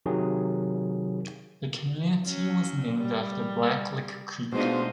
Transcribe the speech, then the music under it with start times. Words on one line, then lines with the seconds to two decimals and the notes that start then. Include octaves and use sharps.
The community was named after Blacklick Creek.
0.06 C3 D#3 F#3 G#4
2.25 F#3 C#4
2.98 G3
4.52 B2 G#3 A3 D4 D#4 F4 C5